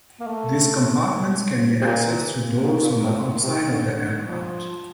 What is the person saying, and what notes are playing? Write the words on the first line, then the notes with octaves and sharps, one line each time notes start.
These compartments can be accessed through doors on the outside of the aircraft.
A#3
A3
C3
A#2
C3
A#2
A#2
A2
A#2
C3
D3
D3
F3